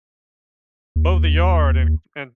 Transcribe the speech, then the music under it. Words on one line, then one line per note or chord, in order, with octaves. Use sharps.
Mow the yard and and,
D#2